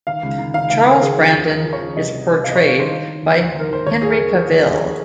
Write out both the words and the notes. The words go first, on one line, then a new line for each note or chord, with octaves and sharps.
Charles Brandon is portrayed by Henry Cavill.
D#3 F5
C#2
D#3
D#3 F5
C#2 F5
D#3
A#4
C#3 G#4
F3
D#2
D#2 A#4
F3
C#5
F3
C2 D#5
C3
C2
C3 F5
D#5
C#5
D#3
C#5
D#3 C5
D#3
D#3
D#2
D#2
D#3 A#4
D#2 C5
D#2 C#5
D#2 G#4
A#4
D#2
F3
D#2
D#2